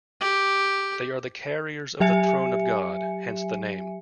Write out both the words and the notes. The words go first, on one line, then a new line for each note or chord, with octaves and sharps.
They are the carriers of the Throne of God, hence the name.
G4
F#3 G4 E5 G#5 C#7